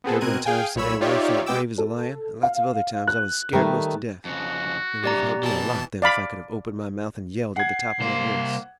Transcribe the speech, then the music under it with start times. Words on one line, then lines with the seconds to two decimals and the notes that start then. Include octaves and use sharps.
"There have been times today when I felt brave as a lion, and lots of other times I was scared most to death. It would have helped me a lot then, if I could have opened my mouth and yelled at the top of my voice."
0.04 B3 C4 G#4 A4
0.21 B2 C4 A#4 F#6 G#6 D#7
0.45 G#4 F5 G5 G#5
0.75 B1 A#2 C#5 B5 E6
1.01 D#4 F4 G4 C#5 D5 E5
1.46 G#3 B3 G5 D6 E6
1.78 A4
2.43 F5
3.07 F#6
3.53 D#3 G3 A3
4.25 F2 C#3 F#4
5.04 G2 C3 G4 D5 A#5
5.43 B2 E3 A5
6.02 D5 F5 B5
7.56 F#5 G#6 C7
8.00 C2 A#3 C5